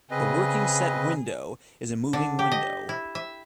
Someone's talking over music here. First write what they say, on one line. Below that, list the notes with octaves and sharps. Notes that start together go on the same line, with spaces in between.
The working set window is a moving window.
C#3 C4 G#4 B4 D#5
D3
G4
D#5
E4
E5